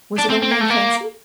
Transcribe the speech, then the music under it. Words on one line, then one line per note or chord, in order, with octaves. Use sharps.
Was it only a fancy?
D4
C4
C4
A#3
A3
A#3